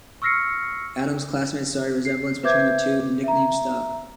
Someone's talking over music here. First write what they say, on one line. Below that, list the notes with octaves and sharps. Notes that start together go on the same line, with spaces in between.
Adams' classmates saw a resemblance between the two, and the nickname stuck.
C#6 E6 F6 A#6 C7 C#7
C7
B4 C5 E5 D6 G6 G#6
E5 A#5